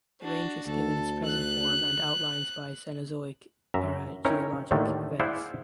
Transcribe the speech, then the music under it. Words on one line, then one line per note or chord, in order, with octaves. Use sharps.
The range was given its present form and outlines by Cenozoic era geologic events.
D4 F#4
D2 A4
F#6
F#2 E5 A#5
C4 C#4 D#4 E4 A#4 C#5
D#2 A2 D3 D#3 A3
E4 G#4 C5 D5 F5 F#5